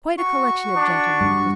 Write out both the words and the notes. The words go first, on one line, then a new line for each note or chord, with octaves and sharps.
Quite a collection of gentlemen--Mr.
F#4 C#6
D4
G2